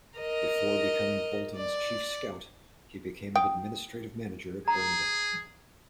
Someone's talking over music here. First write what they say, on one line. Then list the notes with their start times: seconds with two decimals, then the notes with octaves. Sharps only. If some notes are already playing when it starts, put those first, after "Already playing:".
Before becoming Bolton's chief scout, he became an administrative manager at Burnden.
0.19 A#4 D#5
1.56 D5
3.36 G5 D#6
4.68 G#4 A#5